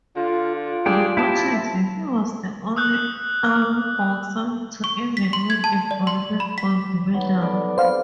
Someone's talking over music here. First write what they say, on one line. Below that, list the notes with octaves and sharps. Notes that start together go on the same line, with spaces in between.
Reportedly he was the only Army boxer to ever win an Olympic Gold Medal.
D3 F4
F4
D4 G4 G#4 G5
E4 G4 A5
D#6 E6 F#6 G6
C#6
B6
C6
G#6
A5
D5
C6
B5
B6
B3 D#4 C#5
A4 B4 D5
G3 C4 C5 F5